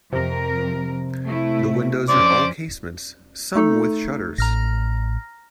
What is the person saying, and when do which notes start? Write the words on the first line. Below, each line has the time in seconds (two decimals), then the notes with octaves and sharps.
The windows are all casements, some with shutters.
0.13 F2 C3 A#4
1.23 A3 E4
2.09 F2 C#4 C5 D5 D6
3.55 A3 D#4 A4
4.38 A1 A#5 F6 A#6